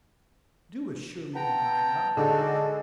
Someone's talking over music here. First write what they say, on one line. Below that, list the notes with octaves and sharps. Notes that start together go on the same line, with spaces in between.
Do assure me that I have.
B3 G5 A5 A#5
D3 G#3 D4 D#4 F#4 A4 D5